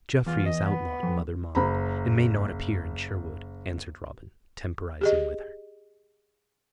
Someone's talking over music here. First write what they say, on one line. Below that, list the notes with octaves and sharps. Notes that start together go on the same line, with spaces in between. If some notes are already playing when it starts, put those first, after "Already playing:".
"Geoffrey is outlawed, mother mine, and may not appear in Sherwood," answered Robin, temporizing with her.
E2 F4
D#5
B3
F2
F#1 A#5 B5
G4 G#4 D#5